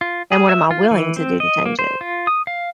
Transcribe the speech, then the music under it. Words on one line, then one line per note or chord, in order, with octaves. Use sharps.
and what am I willing to do to change it?
F4
G#4
E5
F4
E3
C4
D#5
A#3
C5
F4
D#6
F5